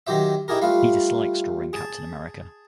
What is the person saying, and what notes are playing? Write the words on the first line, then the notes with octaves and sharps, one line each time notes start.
He dislikes drawing Captain America.
D#3 F#3 G4 C5 E5
D#4 E4 G4 G#4 A#4
G3 A3 F4 B4 F5
G#4 A5